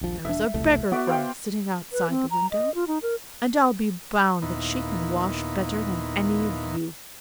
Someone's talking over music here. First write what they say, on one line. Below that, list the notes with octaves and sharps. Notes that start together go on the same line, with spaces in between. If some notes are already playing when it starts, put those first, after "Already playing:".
There is a beggar-girl sitting outside the window, and I'll be bound that she can wash better than any of you!
D#1 A#1 F3
E1 D4 E5
E1 C2 A3
B3 F#4 D5 E5
C5 F5 G5
B4
C4
A#5
D#5
F4
D#4
A#4
D#2 A#2 B3 D#4 E4